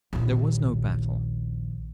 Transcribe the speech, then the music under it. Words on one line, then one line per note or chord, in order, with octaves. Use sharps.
There was no battle.
A#1 D#2